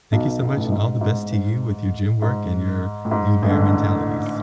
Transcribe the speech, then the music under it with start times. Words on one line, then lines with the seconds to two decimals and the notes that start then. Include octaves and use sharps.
Thank you so much, and all the best to you with your gym work and your new bear mentalities.
0.12 B1 B2
0.41 B1 B2
0.56 A1 A2
0.72 G#2
1.01 G#2
1.32 G#2
2.22 G#2
3.05 A2
3.11 G#2
3.42 A1 A2
3.50 D3